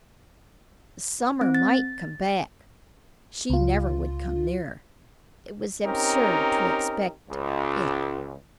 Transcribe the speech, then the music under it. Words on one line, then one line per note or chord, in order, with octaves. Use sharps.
The summer MIGHT come back; she never would come nearer: it was absurd to expect it.
C4
A6
C#2 F4
C4 C#4 D#4 G4 A#4
C#2